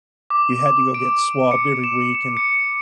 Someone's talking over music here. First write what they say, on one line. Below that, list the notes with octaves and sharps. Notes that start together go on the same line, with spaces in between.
you had to go get swabbed every week and
D6
D7
C#7
E7
E7
C#7